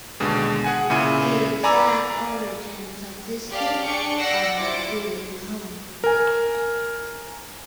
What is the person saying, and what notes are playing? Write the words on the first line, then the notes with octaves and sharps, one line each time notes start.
The exact origins of this cake are not really known.
D#2 B2 D3 G#3
G#4 F#5 G#5
A#2 C#3 E4 D#7
D5 G#5 A#5 B5 D6 E6
G4 D5 F5 A5
D4 G#4 G5 C#6 D6 C#7
D5 F#5 G5 E6 A#6 C7
E4 F4 C5 D6 A6 C#7
A#4 G#5